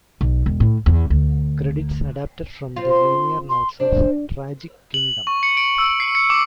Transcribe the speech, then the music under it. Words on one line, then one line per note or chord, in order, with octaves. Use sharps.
Credits adapted from the liner notes of "Tragic Kingdom".
B1
E1
A2
E2
D2
C4 F4
C6
C6
D4 C5
F#7
C#6
C#7
D7
E6
C7
C#7
D6